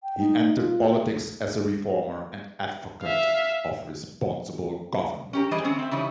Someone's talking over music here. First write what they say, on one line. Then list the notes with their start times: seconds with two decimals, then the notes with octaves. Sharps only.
He entered politics as a reformer and advocate of responsible government.
0.03 G5
0.18 D#4
0.58 F4
3.03 E5 F5
5.33 C#4 G4 A#4
5.51 E3 G3 G#4 C5 D#5
5.64 D3 C4 C#4
5.79 C4 E5
5.91 C#3 E3 G3 D#4 C#5